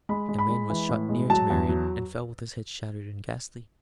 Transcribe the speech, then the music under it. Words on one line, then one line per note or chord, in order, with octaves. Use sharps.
A man was shot near to Marian, and fell with his head shattered and ghastly.
G#3 B5
G#3
B5
G#3
E3
A2
G#3
F#3 A5
E2
F#3